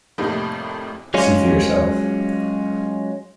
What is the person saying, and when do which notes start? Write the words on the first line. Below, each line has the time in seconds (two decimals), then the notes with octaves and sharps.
See for yourself.
0.18 F2 A2 C3 G3 A#3 D#4
1.14 F#3 G#3 C#4 F4